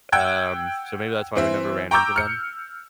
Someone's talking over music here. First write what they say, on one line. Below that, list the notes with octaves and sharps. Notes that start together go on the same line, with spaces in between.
Um, so, maybe that's why we never ran into them,
F#5 G5 E6 F#6 G#6
E3 C4 E5
G5 A#5 C#6 D6 E6 G6
F6 C#7